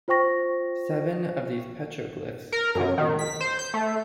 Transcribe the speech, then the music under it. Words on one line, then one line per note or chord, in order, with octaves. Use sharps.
Seven of these petroglyphs could be moose.
F4 C5 G5 C#6 A#6
A#4
F#2
D#3
B6
C5
G6
A3